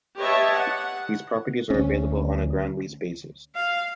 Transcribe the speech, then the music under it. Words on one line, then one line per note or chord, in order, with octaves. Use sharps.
These properties are available on a ground lease basis.
G4 B4 C#5 D#5 E5 A5
F#5
D2 C#4
F5